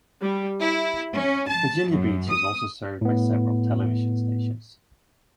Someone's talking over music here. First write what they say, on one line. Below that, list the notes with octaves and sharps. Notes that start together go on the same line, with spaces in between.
Virginia Beach is also served by several television stations.
G3
E4
C#4
A5
F#2
D#6
A2 B3